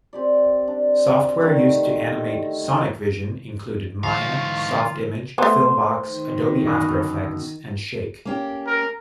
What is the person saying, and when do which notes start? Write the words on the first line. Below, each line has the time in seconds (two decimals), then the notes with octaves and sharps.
Software used to animate "SonicVision" included Maya, SoftImage, FilmBox, Adobe After Effects, and Shake.
0.13 C4 G4 D5
0.68 D4
1.40 D3 D#3 A3 G4
4.04 G#2 D3 E3 F#3 F4 F5 C#6
5.38 A3 B3 C5
6.09 D#3
6.66 F#2 B2 D3
8.25 A#3 C#4 G4
8.67 A#4